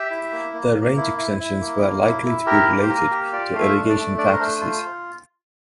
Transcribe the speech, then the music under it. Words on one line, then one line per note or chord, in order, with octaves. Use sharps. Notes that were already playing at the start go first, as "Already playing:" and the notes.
Their range extensions were likely to be related to irrigation practices.
Already playing: G4 E5
E4
A#3
A#3
A#3
E4
E4
E4
A#3
A#3
E4
E4
G4 A#4
A#3
C5
A#3 A#4
G4
F4 D5
A3 F5
E5
D4
D5
A3
D4 D5
C5
A#4
A3 C5
F4